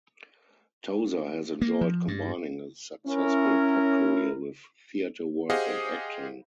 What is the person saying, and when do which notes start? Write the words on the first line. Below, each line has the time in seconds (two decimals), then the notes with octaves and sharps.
Tozer has enjoyed combining a successful pop career with theatre work and acting.
1.62 A#3
1.81 F3
2.08 G2
3.07 C#4 E4 A#4
5.50 G4 G#4 C5 D#5 F5 F#5